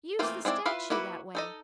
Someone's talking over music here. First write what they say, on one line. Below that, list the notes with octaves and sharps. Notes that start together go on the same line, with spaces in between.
"Use the statue that way."
E3 A3 A#3 C4 F4
G#3 C4 E4 D5
E4 F4 B4 E5 F5
A#3 E4 F#4 B4
D#4 A4 D#5